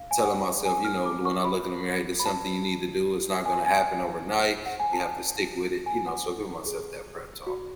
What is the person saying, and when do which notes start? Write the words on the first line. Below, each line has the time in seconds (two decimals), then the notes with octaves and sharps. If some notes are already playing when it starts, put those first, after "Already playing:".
telling myself, you know, lo when I look in the mirror, "Hey. There's something you need to do. It's not gonna happen overnight. You have to stick with it." You know? So, I give myself that prep-talk.
Already playing: F5
0.11 G#5
0.25 F#5
0.65 G#5
0.85 F6
1.05 D6
1.25 C#6
1.45 B5
2.20 B5
2.26 A5
3.46 G#5
3.66 G#5
4.66 F#5
4.80 G#5
4.93 A5
5.86 G#5
6.07 F#5
6.26 A4
6.66 G#4
7.46 F#4